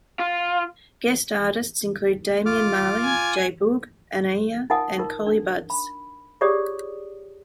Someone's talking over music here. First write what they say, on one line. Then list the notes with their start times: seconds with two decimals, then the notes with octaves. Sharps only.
Guest artists include Damian Marley, J Boog, Anuhea, and Collie Buddz.
0.19 F4
2.46 F4 D6 F6
3.04 G#5
4.70 D#4 F4 A#4 F#5 G#5 D#6
4.98 D#4 F4 A#4
5.26 D4
5.70 B5
6.41 F4 G4 G#4 C#5 D5 D#6